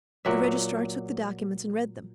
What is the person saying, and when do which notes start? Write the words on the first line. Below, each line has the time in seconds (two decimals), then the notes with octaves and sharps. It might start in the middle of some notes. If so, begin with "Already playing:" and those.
The registrar took the documents and read them.
0.25 A#2 F#3 E5